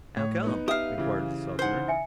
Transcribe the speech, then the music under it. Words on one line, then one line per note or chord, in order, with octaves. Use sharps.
"How come?" inquired the Southerner.
A2 C#5
B3 D#4
G4 E5 F5 D#6
C#3 E3
D#4 C5 F#5 G7
E5 G#5 C#7